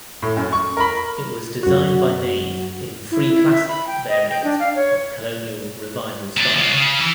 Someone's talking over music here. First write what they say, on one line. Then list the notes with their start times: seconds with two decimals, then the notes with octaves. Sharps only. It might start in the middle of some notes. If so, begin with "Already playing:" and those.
It was designed by Nave in "free classic" variant of Colonial Revival style.
0.22 A2
0.37 F#2
0.53 C#6
0.77 A#4 B5
1.63 F#2 F#4
3.12 E4
3.33 E4
3.51 E5
3.68 B5
3.87 G5
4.09 D#5
4.30 G5
4.44 D4
4.59 F5
4.75 C#5
6.37 A#2 D4
6.56 C#3 G#3
6.74 C#3
6.99 E3